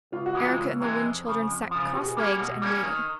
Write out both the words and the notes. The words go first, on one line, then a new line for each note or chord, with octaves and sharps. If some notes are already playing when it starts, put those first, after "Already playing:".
Eric and the Wind Children sat cross-legged and waited.
C#2 F4
F#4
C3 E3 G#3 F4
C#2
C3 E3 G#3
F2
C#3 F3
F2
C#3 F3
B2 G4
G#4
G3 A#3 C#4 G4
B2
G3 A#3 C#4
D#3